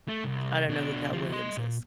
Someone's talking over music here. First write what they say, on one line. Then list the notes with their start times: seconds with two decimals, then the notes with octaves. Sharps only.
I don't know who Cal Williams is.
0.08 A3
0.24 C2
0.69 B2 D4
1.13 D2 F3
1.32 D#5 C6
1.57 A#2